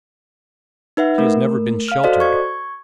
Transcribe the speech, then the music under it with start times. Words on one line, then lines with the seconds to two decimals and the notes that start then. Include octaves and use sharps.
She has never been sheltered.
0.97 D#4 B4 E5 F#5
1.18 A3 A#4
1.88 F5 F6
2.04 F#4 A4 C5 D5 D#5
2.20 C#6 G#6